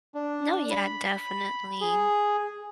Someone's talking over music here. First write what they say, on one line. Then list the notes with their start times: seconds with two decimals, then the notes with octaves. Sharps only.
No, yeah, definitely.
0.14 D4
0.71 B5
1.81 G#4